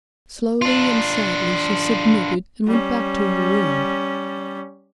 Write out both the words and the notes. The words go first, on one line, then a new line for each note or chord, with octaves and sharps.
Slowly and sadly she submitted, and went back to her room.
D4 F4
G3 C#4